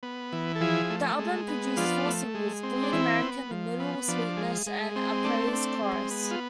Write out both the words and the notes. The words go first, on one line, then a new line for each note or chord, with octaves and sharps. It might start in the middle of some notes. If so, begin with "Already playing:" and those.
The album produced four singles: "Bleed American", "The Middle", "Sweetness", and "A Praise Chorus".
B3
E3
A4
F3 E4 G#4
A3
G#3
B3
F3 D4 F4
A3
G#3
C4
D4
E3 E4
B3
F3
B3
F3 D4
G#3
G#3
C4
A3 D4
D4
C4
G#3
B3
F4